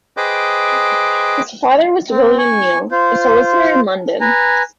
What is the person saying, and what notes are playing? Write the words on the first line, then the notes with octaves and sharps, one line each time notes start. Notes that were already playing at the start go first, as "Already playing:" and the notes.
His father was William Neal, a solicitor in London.
G#4 B4 C5 D#5 G5 D6
C4
G#5 C#6
F4 C5
B4 G#5 A#5